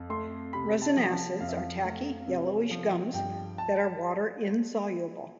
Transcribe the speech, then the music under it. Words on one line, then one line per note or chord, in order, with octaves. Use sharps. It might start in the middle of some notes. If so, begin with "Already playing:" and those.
Resin acids are tacky, yellowish gums that are water-insoluble.
Already playing: F2
A3 C6
C3 B5
A5
F3
A5
F2 F5
E5
F5
A3
C3
F3
G2 G5
A5